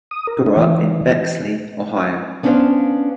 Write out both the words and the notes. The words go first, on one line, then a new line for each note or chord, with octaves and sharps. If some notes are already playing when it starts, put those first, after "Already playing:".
He grew up in Bexley, Ohio.
D#6
A#4
D4
E3
B3 C#4 D4 C5 E5 F5